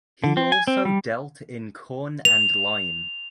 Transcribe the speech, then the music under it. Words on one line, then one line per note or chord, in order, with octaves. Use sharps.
He also dealt in corn and lime.
D3
C4
G#5
C4
G3
F7